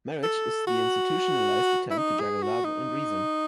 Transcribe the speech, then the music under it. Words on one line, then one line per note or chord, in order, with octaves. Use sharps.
Marriage is the institutionalized attempt to juggle love and reason.
A4
F#4
E4
D#4
G#4
F#4
D#4